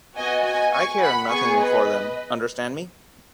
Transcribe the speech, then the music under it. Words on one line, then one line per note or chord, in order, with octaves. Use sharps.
I care nothing for them — understand me?
B3 F#4 D#5 G#5
D#5 G#5
G#5 C#6
F#5 B5
B3 G#4 G#5 C#6
B4 D#5